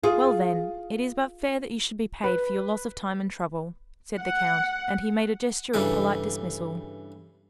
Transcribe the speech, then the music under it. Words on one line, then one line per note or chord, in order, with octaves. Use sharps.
"Well, then, it is but fair that you should be paid for your loss of time and trouble," said the count; and he made a gesture of polite dismissal.
F4 G#4
B4
F#5
G2 C#3 E3 A4 D6